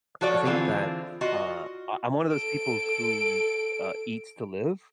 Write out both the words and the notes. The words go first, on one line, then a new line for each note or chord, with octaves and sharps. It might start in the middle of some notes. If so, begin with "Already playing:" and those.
I think that, uh, I I'm one of those people who, uh, eats to live
F3 F#4 A4 C#5 D5
D3 E3 C4 F4 G#4
F4 F#4 D#5
A4 D7